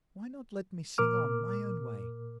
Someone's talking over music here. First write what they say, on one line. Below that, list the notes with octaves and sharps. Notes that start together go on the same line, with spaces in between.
Why not let me sing on, my own way?
A#2 A#4 D6 F6